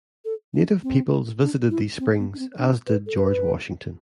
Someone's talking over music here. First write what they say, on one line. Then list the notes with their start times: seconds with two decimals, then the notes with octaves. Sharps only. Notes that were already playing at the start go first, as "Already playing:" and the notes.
Native peoples visited these springs as did George Washington.
0.25 A4
0.54 D4
0.83 C4
1.41 D4
1.71 E4
1.99 C4
2.19 B3
2.33 D4
2.39 C4
2.58 D4
2.87 B4
3.07 A4
3.16 B4